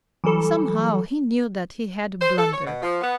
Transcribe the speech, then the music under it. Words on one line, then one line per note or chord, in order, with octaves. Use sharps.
Somehow he knew that he had blundered.
E3 F#3 G3 A4
C5
A4
C#5
B2
F3
B3